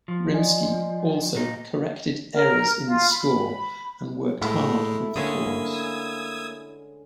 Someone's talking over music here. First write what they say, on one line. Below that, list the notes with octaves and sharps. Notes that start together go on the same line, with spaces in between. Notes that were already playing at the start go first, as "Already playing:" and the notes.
Rimsky also corrected errors in the score and worked hard with the chorus.
F3
D5 D#5 G#5
A#2 D#4
A#4
F4
B5
A2 G#3 A3 E4
D3 G#3 A#3 C#4 D#6 E6 G#6
A#3